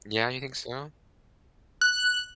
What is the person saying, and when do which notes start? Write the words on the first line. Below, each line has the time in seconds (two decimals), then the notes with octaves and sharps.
Yeah, you think so?
1.81 F#6